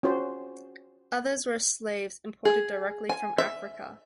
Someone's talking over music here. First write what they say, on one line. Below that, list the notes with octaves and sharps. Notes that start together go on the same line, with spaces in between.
Others were slaves imported directly from Africa.
C#4 F4 F#4 C5
G#4
G#5
E5